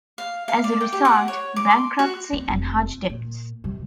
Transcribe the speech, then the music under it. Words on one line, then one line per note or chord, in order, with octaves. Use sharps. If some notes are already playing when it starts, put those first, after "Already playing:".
As a result, - bankruptcy and huge debts.
F5
F5
D5
G5
G4
F#5
C#5
D6
C6
F#4
C4
F1 C4
A#2
C3 G3